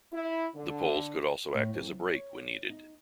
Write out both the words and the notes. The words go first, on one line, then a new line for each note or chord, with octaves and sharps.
The poles could also act as a brake when needed.
E4
D3
A2
F2
F#3
C#5
D#4